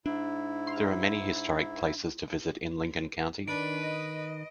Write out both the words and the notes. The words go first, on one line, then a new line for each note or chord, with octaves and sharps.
There are many historic places to visit in Lincoln County.
G#2 D4 E4
D#3 D4 B4 D7
D#5